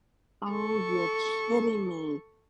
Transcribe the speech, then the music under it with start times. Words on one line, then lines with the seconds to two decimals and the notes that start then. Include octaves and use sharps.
Oh, you're kidding me.
0.50 A4 C#6